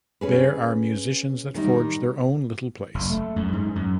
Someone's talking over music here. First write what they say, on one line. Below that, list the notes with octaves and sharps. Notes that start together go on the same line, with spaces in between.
There are musicians that forge their own little place.
C#4 G#4 B4
D#3 G3 D#4
F#1
A3
F#2
G#2
F#2